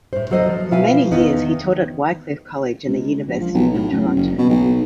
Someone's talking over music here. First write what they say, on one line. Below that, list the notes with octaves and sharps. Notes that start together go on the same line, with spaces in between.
For many years he taught at Wycliffe College in the University of Toronto.
A2 C5
D2 F#3 A4 C5 D#5
F3
B2 F3 E4 F5 G#5
E2 D#3 B3 D#4
C#2
A#1
F3
B1
A2
F#2
F#1
B2
B1